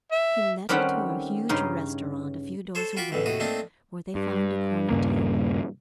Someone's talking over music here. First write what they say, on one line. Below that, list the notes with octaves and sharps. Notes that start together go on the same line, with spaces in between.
He led her to a huge restaurant a few doors away, where they found a corner table.
E5
D#3 G3 C4 C#4 A4 F#5
G2 C#3 D#4 C6
A4 C5 C#5
F4 F#4 G5 B5 C#6 D6
A1 E2 A2 E3
D#2 A2 F#4 D#6
A3 A#3 C4 D4 D#4
G2
D#1 G2 C#3 A#3